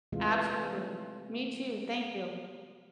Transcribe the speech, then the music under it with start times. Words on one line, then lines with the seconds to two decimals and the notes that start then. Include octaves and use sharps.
Absolutely. Me too, thank you.
0.12 C3 E3 G#3 A3 F4